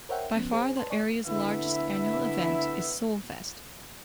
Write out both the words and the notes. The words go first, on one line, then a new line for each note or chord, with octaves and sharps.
By far the area's largest annual event is Solfest.
A#4 C5 C#5 E5 F#5 G5
F3 B3 C#4
G#4 C5 G#5
B4 A5 C6
D5 G#5 C#6
D3 A3 B3 E4 E5